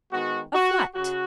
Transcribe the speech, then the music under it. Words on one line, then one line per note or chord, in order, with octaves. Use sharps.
"Of what?"
D#3 G#3 B3 F#4
F#4
C#3 F#4